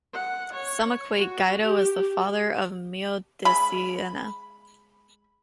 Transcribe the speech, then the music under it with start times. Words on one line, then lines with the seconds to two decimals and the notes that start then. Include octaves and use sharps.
Some equate Guido as the father of Meo di Siena.
0.14 F#5
0.53 C#5
1.19 F#4
1.63 G4
3.45 G#3 B5